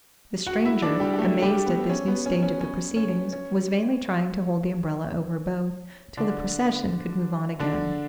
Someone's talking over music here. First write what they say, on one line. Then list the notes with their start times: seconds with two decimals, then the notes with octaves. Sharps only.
The stranger, amazed at this new stage of the proceedings, was vainly trying to hold the umbrella over both, till the procession could move on again.
0.47 F#4 F#5
0.65 E4 E5
0.82 D4 D5
1.00 G3 G4
1.13 G4
1.18 A3 A4
1.42 G3 G4
1.66 B3
1.89 C#4
2.08 B3
2.26 C#4
2.42 C#4
2.61 C#4
2.96 C#4
3.33 C#4
6.17 D3 D4
7.59 D3 D4